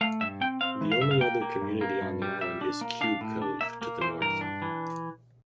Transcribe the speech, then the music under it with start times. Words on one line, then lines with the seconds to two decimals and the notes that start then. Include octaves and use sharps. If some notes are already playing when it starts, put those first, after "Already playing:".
The only other community on the island is Cube Cove, to the north.
0.01 A3 F5
0.21 G2 E5
0.41 C4 G5
0.61 C4 F5
0.81 E3
0.92 F5
1.01 G2 E5
1.11 F5
1.21 A#3 G5
1.42 A#3
1.61 G2
1.81 A#3
2.01 G2
2.22 G3
2.41 G3 E5
2.61 D4
2.81 A#3
3.01 D4 F5
3.21 A2
3.42 D4
3.61 A#3 E5
3.82 A#3
4.01 E3 C5
4.21 G2 A#4
4.41 D4
4.62 E3